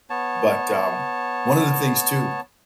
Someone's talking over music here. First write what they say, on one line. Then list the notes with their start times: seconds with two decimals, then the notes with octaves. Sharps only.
But um one of the things too
0.10 B3 C#5 A5